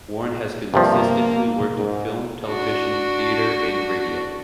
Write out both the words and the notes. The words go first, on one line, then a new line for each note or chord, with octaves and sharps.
Warren has consistently worked in film, television, theatre and radio.
G2 C3 F3 A#3
G#2
D4 F#4